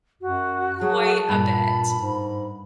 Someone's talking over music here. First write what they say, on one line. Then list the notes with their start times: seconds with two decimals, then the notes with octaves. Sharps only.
quite a bit,
0.21 F#2 F#4
0.81 F#3 G#4 A5
1.29 G2 A#2 A#3 B5
1.99 G#2